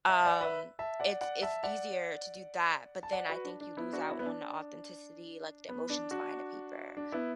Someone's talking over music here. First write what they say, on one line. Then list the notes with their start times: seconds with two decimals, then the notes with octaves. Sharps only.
Um, it's it's easier to do that, but then I think you lose out on the authenticity, like the emotions behind the paper.
0.09 E5 A5
0.21 A5
0.26 D5 F#5
0.41 B4 E5
0.79 E5 A5
1.00 D5 F#5
1.21 D5 F#5
1.42 E5 A5
1.63 D5 F#5
3.03 A5
3.13 D5 F#5
3.29 F#4 B4
3.45 D4
3.61 D4
3.77 B3 E4
3.93 D4 F#4
4.09 B3 E4
4.19 B3
4.26 D4
5.69 B3
5.90 D4
6.11 D4 F#4
6.97 D4
7.12 B3 E4